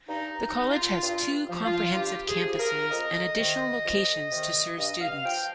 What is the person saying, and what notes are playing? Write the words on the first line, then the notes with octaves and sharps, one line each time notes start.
The college has two comprehensive campuses and additional locations to serve students.
G2 D#4
D#4
G3
F4
G2 F4
F3
F4
G2 G4
G#4
F3
A#4
F5
F2 D#5
C3 D#3
F2
C3 D#3
G2 D#5
F5
F3 G5